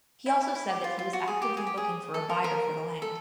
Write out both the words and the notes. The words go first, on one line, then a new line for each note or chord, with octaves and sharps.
He also said that he was actively looking for a buyer for the land.
E4
E4
E4
G4
F4
F4
F#4
G#4
G4
G#4
G4
G#4
A4
A#4
A#4
A4